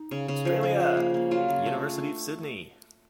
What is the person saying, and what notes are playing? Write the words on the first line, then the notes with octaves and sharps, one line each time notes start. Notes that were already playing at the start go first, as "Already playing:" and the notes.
Australia: University of Sydney.
Already playing: D#4
C#3
C#3
F3
F3
C#3
A#3
A#3
F#3 F4
C#3
A3